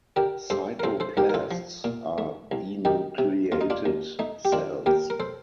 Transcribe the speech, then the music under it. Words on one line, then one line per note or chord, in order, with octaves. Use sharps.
Cytoplasts are enucleated cells.
D3 G4 A#4
G2 A4 C5
A#4
C2 A4 C5
A4 C5
C2 G4 A#4
A#4
F4 A4
F3
A#2
A3
C2
D#3 D#4 G4
C3
D#2 F4
D#4
D4 F4
D#2
A3 D#4
G4
D#3 D4 F4
D#2 G4 A#4
A#4
A4 C5